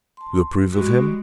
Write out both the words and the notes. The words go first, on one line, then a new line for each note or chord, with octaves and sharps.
"You approve of him?"
A5 C6
G3 G#3 F#4 C#6